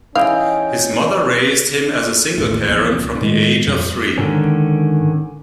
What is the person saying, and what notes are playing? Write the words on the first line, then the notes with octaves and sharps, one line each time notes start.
His mother raised him as a single parent from the age of three.
E3 C#4 D#4 E4 G#4 F5 G5
A1 D#2 A2
A#1 E2
C#2
A2 D#3 G#3
F2 A#2 F3 G3
G#2 D3 D#3 C#4